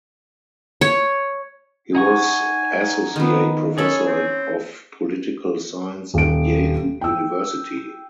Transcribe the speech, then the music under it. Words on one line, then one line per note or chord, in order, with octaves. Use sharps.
He was Associate Professor of Political Science at Yale University.
C#5
D#4 F#5 G#5 C#6
D#3 B3
C#4 G#4 A4 C#5 B5
C4
D#1 D7
G5 E6